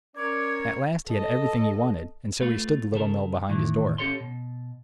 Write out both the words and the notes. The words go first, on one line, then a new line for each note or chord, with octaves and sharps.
At last he had everything he wanted, and so he stood the Little Mill behind his door.
C#4 A#4 C#5 D5 G#6
A4 D#5
A3 F4 B4
C#3 A4 A#4
A2 D#3 E3
C#4 G4 A4 C#5 C6
B2